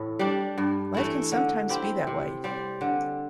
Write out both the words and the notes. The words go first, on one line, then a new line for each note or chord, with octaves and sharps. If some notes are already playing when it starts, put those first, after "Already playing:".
Life can sometimes be that way.
Already playing: A2 E3 A3 E4
G3 D4
G2
E3 A3 E4
D3
C4 E4 G4
C3
G3 C4
D3